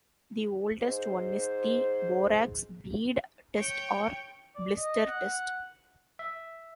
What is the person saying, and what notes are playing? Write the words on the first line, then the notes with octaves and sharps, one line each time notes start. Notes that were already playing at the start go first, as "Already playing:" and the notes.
The oldest one is the borax bead test or blister test.
G#2 C5
C#5 G5
D5
D#5
F#5
E5